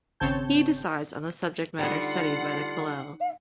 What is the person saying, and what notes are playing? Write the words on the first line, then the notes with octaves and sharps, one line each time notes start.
He decides on the subject matter studied by the kollel.
G#1 C#3 C4 C#5 A5 G6
D3 G3 D#4 F4 F#5 G5 C7